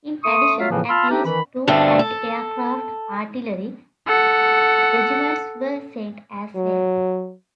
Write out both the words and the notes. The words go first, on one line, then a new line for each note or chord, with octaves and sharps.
In addition, at least two anti-aircraft artillery regiments were sent as well.
A3 C6 C#6 D#6
F#3 F4 E5 F5
F2 A2 C#3 E3 F3 A#3
F4 A5 B5 C6 E6 F6
A3 C4 D4 D#4 G4
D#3 E3 B5
G2 B2 D3 A3 C4 D4
A4
A4 F#5
F#3